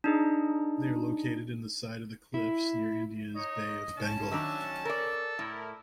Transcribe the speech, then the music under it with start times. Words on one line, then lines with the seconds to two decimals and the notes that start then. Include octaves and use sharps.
They are located in the side of the cliffs near India's Bay of Bengal.
0.04 D4 D#4 G#4
2.34 E4
3.36 D#4 C#5 D#5
3.98 C#4 A5
4.31 D#3 F#3 D4 E5
4.85 A4 A#4 D5
5.39 A2 E4 A#4